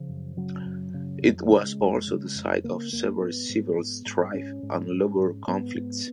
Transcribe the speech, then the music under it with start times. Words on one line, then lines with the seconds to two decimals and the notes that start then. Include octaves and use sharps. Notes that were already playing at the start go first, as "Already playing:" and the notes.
It was also the site of severe civil strife and labour conflicts.
Already playing: C#3 F3
0.09 F#2
0.37 C#3 F#3
0.66 F#2
0.94 C#3
1.22 F2
1.50 C#3 G#3
1.79 F2
2.07 C#3
2.35 F2
2.64 C#3 A#3
2.93 F2 A#3
3.20 G#2 B3
3.49 G#2
3.78 G#2
4.06 G#2
4.34 G#2 C#4
4.63 G#2
4.91 G#2
5.19 G#2
5.47 G#2 B3
5.75 G#2